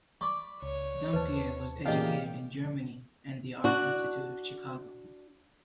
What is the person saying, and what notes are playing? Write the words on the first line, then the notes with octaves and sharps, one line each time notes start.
Dunbier was educated in Germany and the Art Institute of Chicago.
D5 B5 C#6 D6
C#2 C#5
D#2 B4 C5 A5
E2 A#2 C#4 D#4 G4 D#5 F5
D4 F#4